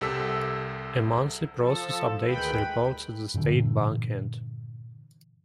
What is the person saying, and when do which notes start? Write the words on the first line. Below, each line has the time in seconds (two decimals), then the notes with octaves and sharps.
A monthly process updates the reports at the State Bank end.
0.01 C2 C3 A4 E6 B6
1.53 F3 A4
2.27 D2 D#3 G#3 B4 G5 B5
3.34 G2 A#2 D3 E3